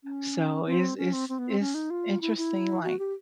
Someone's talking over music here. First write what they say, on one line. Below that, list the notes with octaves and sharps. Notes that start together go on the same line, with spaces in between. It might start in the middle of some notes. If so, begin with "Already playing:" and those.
so it's it's it's interesting, like
C#4
C4
C#4
C4
C4
B3
C4
C#4
D#4
F4
E4
E4
F#4
G4